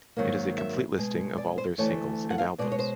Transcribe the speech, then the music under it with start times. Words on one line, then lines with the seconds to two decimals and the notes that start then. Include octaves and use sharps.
It is a complete listing of all their singles and albums.
0.17 G#2 D#3 F#3 A#3
0.58 E5
0.98 B2 G#3
1.38 D5
1.58 C5
1.78 D2 C3 E3 A3 C#5
2.30 F#5
2.38 F5
2.58 B2 G#3 D5
2.72 C#5
2.79 C5